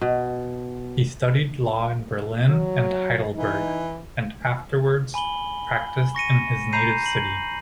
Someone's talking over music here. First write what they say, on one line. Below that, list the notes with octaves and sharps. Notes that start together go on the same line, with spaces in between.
He studied law in Berlin and Heidelberg, and afterwards practised in his native city.
B2
F#3
E3 D#4
G#5 B5 F#7 G7
C#6 A#6 C#7 D#7
A#5 B5 G6 C7 D#7
F#7